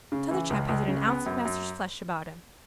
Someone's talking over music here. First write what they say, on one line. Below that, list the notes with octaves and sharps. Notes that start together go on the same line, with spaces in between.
T'other chap hasn't an ounce of measter's flesh about him.
C#3
E3
C#2
C#2
C#3
B3
F#2
F#2